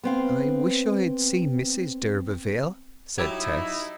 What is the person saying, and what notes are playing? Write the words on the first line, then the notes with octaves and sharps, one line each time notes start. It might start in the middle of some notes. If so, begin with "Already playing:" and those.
"I wish I had seen Mrs d'Urberville," said Tess.
B3 C4 F5
F#3 D#4 E4 G4 B5 E6 G#6